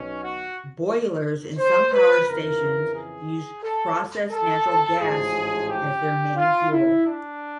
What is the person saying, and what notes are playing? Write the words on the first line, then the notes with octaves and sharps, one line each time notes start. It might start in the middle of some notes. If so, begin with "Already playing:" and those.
Boilers in some power stations use processed natural gas as their main fuel.
Already playing: B1 B2 C#4
F#4
C5
B4
F2 C#3 E3 A#4
G#4
A4
A4
A1 G#2 F3 G#4
G4
F4
E4
D4